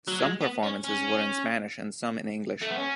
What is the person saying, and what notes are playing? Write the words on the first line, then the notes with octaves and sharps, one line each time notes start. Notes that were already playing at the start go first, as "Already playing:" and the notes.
Some performances were in Spanish and some in English.
F#3
G#3
B3
C#4
C#4
A3
B3
C#4